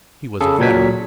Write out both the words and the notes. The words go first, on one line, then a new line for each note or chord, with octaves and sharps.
He was a veteran.
C#3 G#4 A4
A#2 F#3 G#6 B6